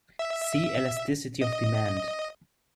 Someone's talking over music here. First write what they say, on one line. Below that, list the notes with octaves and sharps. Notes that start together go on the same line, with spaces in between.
See Elasticity of demand.
E5
D#5